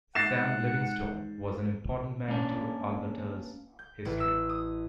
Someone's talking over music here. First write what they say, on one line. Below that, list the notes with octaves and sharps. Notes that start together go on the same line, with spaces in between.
Sam Livingston was an important man to Alberta's history.
G#2 F#5 A6 C7 E7
A#3 C#4 D4
G6
A1
E6
D#6